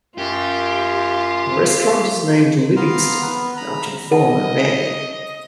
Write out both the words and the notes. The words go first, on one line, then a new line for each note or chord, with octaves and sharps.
The restaurant is named "Livingston" after the former mayor.
F#2 F4 G4
B3 F5 A#5 C6
B3 B4
A#5 B5
D#5 F#5